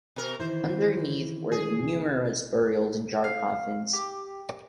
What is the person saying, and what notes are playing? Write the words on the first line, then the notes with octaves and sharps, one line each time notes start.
Underneath were numerous burials in jar coffins.
B2 A#4
D#3 E3 E4 C5
G#4
F5
G4